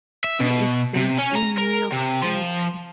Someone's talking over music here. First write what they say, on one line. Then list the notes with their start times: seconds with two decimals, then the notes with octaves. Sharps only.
He is based in New York City.
0.24 E5
0.40 B2
0.96 C3
1.18 C#4
1.35 A#5
1.58 A#4
1.93 C3
2.22 F3